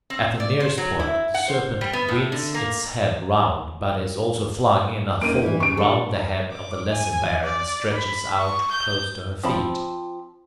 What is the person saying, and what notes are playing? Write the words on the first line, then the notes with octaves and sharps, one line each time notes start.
At the nearest point, the Serpent winds its head round, but is also flung in a fold round the head of the Lesser Bear, and stretches out close to her feet.
C4
D5
C5
F#3
E4
F#5
C5
G3
B3
A2
D3
A#3
A#3 C#4 D#4 D7 D#7
E3 E4
C#3 C#6 D7
D4 G4 A4
D6
G#5
D5
B5
C#6
G6
F3 C4 A5 B5